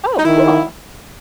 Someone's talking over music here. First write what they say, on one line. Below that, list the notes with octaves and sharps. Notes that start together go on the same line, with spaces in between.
Oh, cool.
D#4
D#3 E4